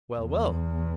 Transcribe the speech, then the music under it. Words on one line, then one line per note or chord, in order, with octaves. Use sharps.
Well, well.
E2